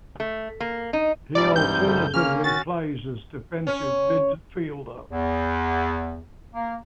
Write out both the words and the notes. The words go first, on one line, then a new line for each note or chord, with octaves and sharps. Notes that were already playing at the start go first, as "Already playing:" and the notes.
He alternatively plays as defensive midfielder.
A3
A#3
D#4
G#2 C3 G3 D5
G2 E3 C4 G6
F#2 C#3 A4
C#3 A#3 C#4 F6
D#3 C#4 F#4 A6
C#4
E2
A#3